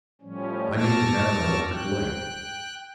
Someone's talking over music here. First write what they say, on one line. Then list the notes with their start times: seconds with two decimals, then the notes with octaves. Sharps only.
"I mean to have an electric light."
0.22 A2 F3 G3 C#4
0.75 A5 C#6 D6 E6 F6 A#6
1.71 G5 F#6